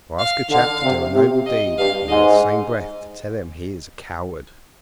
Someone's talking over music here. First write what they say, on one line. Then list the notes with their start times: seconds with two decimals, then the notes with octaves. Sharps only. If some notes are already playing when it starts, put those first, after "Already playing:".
To ask a chap to do a noble deed and in the same breath to tell him he is a coward!
0.19 F5
0.50 D3 F5
0.82 C3
1.14 C3
1.46 D#5
1.77 G2 F5
2.08 G#2 D#5